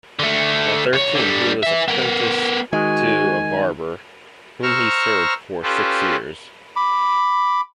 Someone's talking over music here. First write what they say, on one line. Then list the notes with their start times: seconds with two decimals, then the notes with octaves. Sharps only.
At thirteen he was apprenticed to a barber, whom he served for six years.
0.19 D3 A3
0.93 C2 C#5
1.15 D3 G3
1.63 B4 E5
1.88 B3 A#4
2.73 D#3 G#3 F#4 G#5
4.62 C5 A#5 C#6 E6 F6
5.63 C#4 F4 G4 A4 B4 C5
6.76 B5 D6